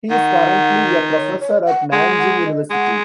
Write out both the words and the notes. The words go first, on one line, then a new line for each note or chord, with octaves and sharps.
He is currently a professor at Nanjing University.
D#3 F#5
C#5
C#5
F#5
G#3 F#5
F#5
D#5
G#3 F#5